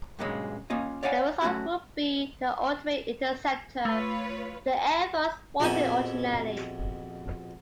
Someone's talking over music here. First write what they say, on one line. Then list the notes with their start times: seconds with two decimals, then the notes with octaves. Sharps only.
The result would be the "ultimate interceptor" the Air Force wanted originally.
0.19 G2 A#2 C#3 F#3 G#3
0.70 A#3 C#4 F4 D#5
1.03 C#5 D5 F5 F#5 G#5
1.42 F#3 A3 C4 C#4 F#4
3.85 A3 F4 B4 C#5
5.60 A#1 F2 B2 E5 G#5 B5